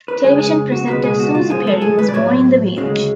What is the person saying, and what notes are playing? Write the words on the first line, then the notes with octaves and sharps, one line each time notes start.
Television presenter Suzi Perry was born in the village.
B4
F2 C#3 G#3 G#4
G#4
F#4
C#2 B2 G#3 B4
G#4
F#4
F4
F#2 F3 G#3 G#4
A4
G#4
B4
D5
A2 F#3 C#5
D2 C#3 G#3